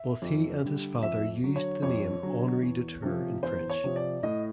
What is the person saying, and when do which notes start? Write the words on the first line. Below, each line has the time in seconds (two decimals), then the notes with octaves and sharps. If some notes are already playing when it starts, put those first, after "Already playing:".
Both he and his father used the name "Henri du Tour" in French.
Already playing: E5
0.22 F2
0.63 D3 G3
1.02 F2 E5
1.43 D3 F#3
1.56 C#5
1.82 F2 C#5
2.23 D3 F#3
2.63 E2
3.03 C3 F3
3.43 E2 C5
3.70 C#5
3.84 C3 F3
3.96 D5
4.23 A2 D#5